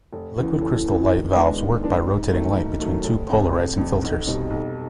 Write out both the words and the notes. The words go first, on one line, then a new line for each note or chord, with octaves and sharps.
Liquid crystal light valves work by rotating light between two polarizing filters.
F1
E2 C#3 E3
F1
E2 C#3 E3
D#3
G#3 B3 D4
D#3
G#3 B3 D4
G#2
D#3 F#3 A3
G#2
D#3 F#3 A3
F1
F2 C3
F1
F2 C3
B1
B2 G3 C4 D#4
B1